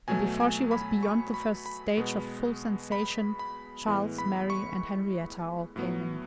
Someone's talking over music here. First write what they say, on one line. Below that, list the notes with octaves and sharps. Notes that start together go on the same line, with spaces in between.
And before she was beyond the first stage of full sensation, Charles, Mary, and Henrietta all came in.
B2 F#3 A3 G#5
G#5
B5
C#6
B5
B5
B2 G#3 B3
B5
B5
A2 E3 G#3 B3
B5
C#6
A2 F#3 B3